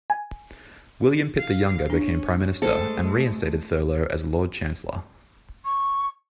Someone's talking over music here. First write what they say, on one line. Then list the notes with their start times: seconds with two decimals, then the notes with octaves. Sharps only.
William Pitt the Younger became Prime Minister and reinstated Thurlow as Lord Chancellor.
0.10 G#5
1.38 F5
1.90 C#4 D4
2.62 G#3 A3 A4 C5
5.65 C#6